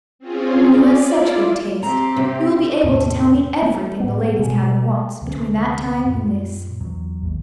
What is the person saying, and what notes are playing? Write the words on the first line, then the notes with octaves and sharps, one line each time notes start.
And you have such good taste, you will be able to tell me everything the ladies' cabin wants between that time and this.'
C4 C#4 F4 G#4
D5
E4 F4 D5
C4 G4 A#5
C3
E2 A2 C3 A3
A3
A2 B3
B2 G#3
D2 C3 F3 C#4
F#2 A#2
E2 F#3
G#1 D#2